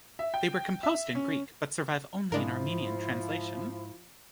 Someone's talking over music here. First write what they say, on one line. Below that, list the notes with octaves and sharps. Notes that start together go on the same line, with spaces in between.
They were composed in Greek but survive only in Armenian translation.
E5
G5
E5
C#4
G#2 F3 G#3 D4 E4 A#4